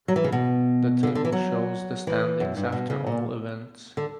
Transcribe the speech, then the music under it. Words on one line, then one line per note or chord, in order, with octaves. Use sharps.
The table shows the standings after all events.
F#3
E3
C#3
B2
D3
C#3
D3
E3
F#3
E3
F#2
G2
B2
C#3
A#2
D3